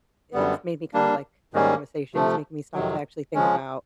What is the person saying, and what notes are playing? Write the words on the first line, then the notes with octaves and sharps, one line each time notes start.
it's made me kind of, like our conversation is making me stop to actually think about
F#2 D3 G3 B3
G3 A#3 D4
G#2 D#3 G3 A#3 C#4
C3 F3 A3
F2 C3 D#3 F#3
C#3 F3 G#3 C#4